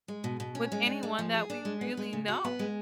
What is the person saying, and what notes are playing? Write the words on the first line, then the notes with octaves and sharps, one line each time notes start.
with anyone that we really know.
G#3
B2
B2
C#4
G#3
D4
G#3
F3
G#4
D4
G#3
B3
G#3
C#3
F#4
B3
G#3